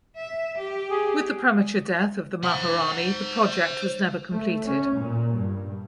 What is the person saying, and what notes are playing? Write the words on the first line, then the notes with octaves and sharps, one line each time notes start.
With the premature death of the maharani the project was never completed.
E5
G4
G#4
C5 F#5
A3
C#4
A#2
G2